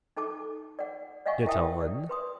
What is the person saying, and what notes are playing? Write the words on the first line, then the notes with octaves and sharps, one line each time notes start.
Get on.
D#4 A4 A5 D6
D5 F#5
D5 D#5 F5 F#5 G#5 C#6
E4 A#4 E5 G5 A5 D#6
D5
B4 C6 D#6